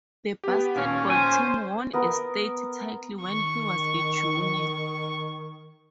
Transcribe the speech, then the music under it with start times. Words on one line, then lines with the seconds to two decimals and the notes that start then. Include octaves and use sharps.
The basketball team won a state title when he was a junior.
0.44 B3 G4
0.76 D#2 A#2 C#4 F5
1.10 C5 G#5
1.93 B3 A#4
3.21 D#3 C#6